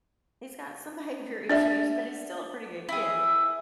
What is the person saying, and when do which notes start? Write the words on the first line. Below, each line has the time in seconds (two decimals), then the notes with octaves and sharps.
he's got some behavior issues, but he's still a pretty good kid,
1.49 D4 D5 E5
2.89 E4 G#4